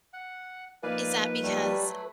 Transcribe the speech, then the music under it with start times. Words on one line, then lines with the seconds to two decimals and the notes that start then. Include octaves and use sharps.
Is that because
0.13 F#5
0.83 F3 A#3 D#4 B4 D5 F5 G#5
1.42 F#3 G3 A3
1.73 B4